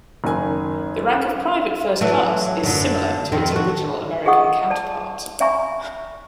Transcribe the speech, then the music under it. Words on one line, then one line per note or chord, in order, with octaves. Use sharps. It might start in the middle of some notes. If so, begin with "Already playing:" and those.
The rank of private first class is similar to its original American counterpart.
F#1 D#3 G#5
E3 F#3 A3
F#2 D3
F2 D#3 C4
A3 F#4
F4 G#4 D#5 F#5 C#6 D#6
D5 A5
D5 E5 G#5 A#5 B5 C#6